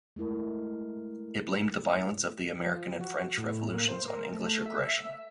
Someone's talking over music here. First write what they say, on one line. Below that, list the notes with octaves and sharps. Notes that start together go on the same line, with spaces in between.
It blamed the violence of the American and French revolutions on English aggression.
G#3 A3 E4 A#4
F3
F#4
A2
A#3
C5
A#4
A3
E5